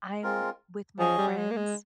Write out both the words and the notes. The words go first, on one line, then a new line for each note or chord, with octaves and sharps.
I'm with my friends.
G#3 C4 F4 A#4
F3 C#4 G#4 D#5 G#5
G3
G#3
A#3
G#3